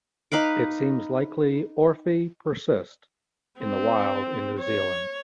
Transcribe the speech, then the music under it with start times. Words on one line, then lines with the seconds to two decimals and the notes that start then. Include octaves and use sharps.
It seems likely orfe persist in the wild in New Zealand.
0.32 D#4 B4 F5 D6
3.59 C4
4.59 C#5